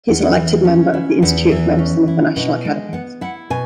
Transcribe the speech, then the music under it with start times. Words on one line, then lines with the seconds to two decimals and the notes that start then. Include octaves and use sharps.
He is an elected member of the Institute of Medicine of the National Academies.
0.08 E2 F#5
0.36 E3
0.65 C#4
0.94 E4
1.22 E2 F#5
1.51 E3
1.79 C#4
2.08 E4
2.36 B2 F#5
2.65 G#3
2.93 B3 F#5
3.21 E4 F#5
3.50 B2 G#5